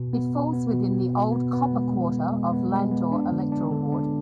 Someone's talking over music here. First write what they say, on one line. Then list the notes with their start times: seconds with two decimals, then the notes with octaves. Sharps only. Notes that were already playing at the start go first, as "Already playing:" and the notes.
It falls within the old copper quarter of Landore electoral ward.
Already playing: B2
0.13 B3
0.34 B2
0.53 B3
0.73 B2
0.93 B3
1.13 B2
1.32 B3
1.53 B3
1.73 G#3
1.92 G#3
2.12 B3
2.32 G#3
2.53 B3
2.71 G#3
2.91 B3
3.12 D4
3.32 D3
3.52 D4
3.71 D3
3.92 D4